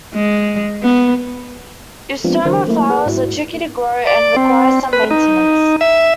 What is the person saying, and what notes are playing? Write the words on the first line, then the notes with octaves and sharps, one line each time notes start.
"Eustoma" flowers are tricky to grow and require some maintenance.
G#3
B3
F3 G#3 B3 C4 D4 F4
D3 E3 F#3 D4 A#4 C5
F#3 A3 A#3 E4
G#4 A#4 B4 F#5
G#2 E4 F#4
D5
C4
B4
D#4
E5